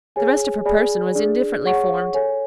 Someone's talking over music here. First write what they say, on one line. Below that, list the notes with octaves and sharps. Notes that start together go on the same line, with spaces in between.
The rest of her person was indifferently formed.
G#4 C#5 G#5
G#4 D5 G#5 B5
D4 G#4 D5
G#4 C#5 F#5 C#6
A4 C#5 G#5